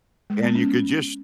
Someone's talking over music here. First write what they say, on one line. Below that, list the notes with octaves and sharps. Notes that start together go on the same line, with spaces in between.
and you could just
G#3
B3
C#4